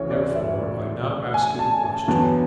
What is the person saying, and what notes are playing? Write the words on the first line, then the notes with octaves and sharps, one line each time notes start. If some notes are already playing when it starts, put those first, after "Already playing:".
Therefore I now ask you the question.
Already playing: D2 C#3 E3 C#5
D5
E5
G#5
A5
G#5
E2 D3 F#3 B3 A5